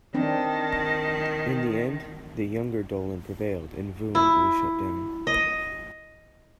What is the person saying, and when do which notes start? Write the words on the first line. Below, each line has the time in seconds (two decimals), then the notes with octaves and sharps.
In the end, the younger Dolan prevailed and Voom was shut down.
0.15 D#3 C4 D4
4.15 E4
5.27 D#5